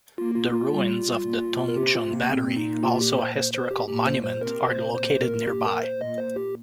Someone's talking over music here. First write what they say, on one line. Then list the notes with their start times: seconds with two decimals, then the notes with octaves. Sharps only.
The ruins of the Tung Chung Battery, also a historical monument, are located nearby.
0.18 A#3 F4
0.35 F4
0.53 F4
0.70 G3
1.24 A#2
1.68 A#4
1.77 C3 G4
1.95 F4
2.12 A#3
2.29 A#2 C4
2.56 D#4
2.83 F4
3.01 G4
3.18 C5
3.36 C5
3.54 C5
3.71 G4
3.88 A#2 G4
4.07 C5
4.24 C5
4.41 C3 A#4
4.68 C5
4.95 A#2 C5
5.22 A#4
5.48 G4
5.66 A#4
5.83 C5
6.00 A#2 D#5
6.18 C5
6.36 G4